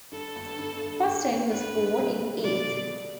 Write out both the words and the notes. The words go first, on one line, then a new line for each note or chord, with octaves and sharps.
Hustin was born in Ethe.
G2 A4
G1
G2
G1
G1
G1
G1 B4
G2
G3
G3
B2 D5
B2
G3